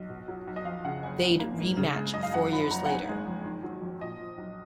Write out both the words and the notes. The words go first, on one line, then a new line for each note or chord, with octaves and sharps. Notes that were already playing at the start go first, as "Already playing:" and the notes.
They'd rematch four years later.
Already playing: B1 D#5
B2
F#3
B1
D#5
F2 F5
C#3 F#5
F#1 G#5
F3
A#3
G#2
C#3
G#3
F#2 D#5
F5
F#2 F#5
F3 B5
B5
F#1 A#5
F#5
D#3 G#5
G#3
F2
D#3
F#3
F2
A#2 D#5
F3
B1